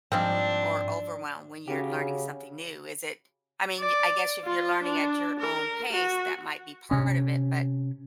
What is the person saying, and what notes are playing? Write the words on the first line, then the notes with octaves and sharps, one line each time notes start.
or overwhelm when you're learning something new? Is it I mean, y I guess if you're learning at your own pace, that might be part of it, but
G#2 F3 G3 G#3 C4 D4
C#3 C#4 F#4 G4
D5
F4
D4
A#4
F#4
C3 C#4